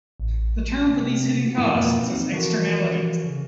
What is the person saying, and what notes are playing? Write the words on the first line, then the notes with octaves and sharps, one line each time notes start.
The term for these hidden costs is "Externalities".
A1
C3
G#2 F3 B3 E4
F2 B2 A#3 F4 B4
C4 D#4
E3 F3 F#4 A4 A#4 C#5
C#3